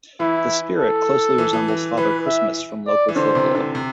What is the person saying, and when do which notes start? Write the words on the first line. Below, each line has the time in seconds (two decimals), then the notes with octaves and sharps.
The Spirit closely resembles Father Christmas from local folklore.
0.20 E3 E4
0.79 A4
1.38 E3
1.53 E3
1.68 E3
1.97 E3 B4
2.27 E5
2.87 D5
3.09 E3
3.16 D3 C5
3.35 C3
3.55 D3
3.75 C3